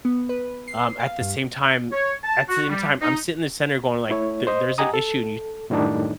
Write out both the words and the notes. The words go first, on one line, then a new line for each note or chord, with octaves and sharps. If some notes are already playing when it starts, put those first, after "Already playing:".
Um, at the same time at the same time, I'm sitting in the center going like, there there's an issue and you
B3
B4
C7
F5
G2
C#5
A5
F#4
G3
D#4
A3 E4 C#5
C5 D#5
G4 D#5 F#5 G#5 A#5 D#6
A4
F#2 A2 D#3 G3 D4 D#4